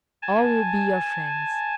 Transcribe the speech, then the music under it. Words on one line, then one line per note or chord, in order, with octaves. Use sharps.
All will be your friends.
G#5 A5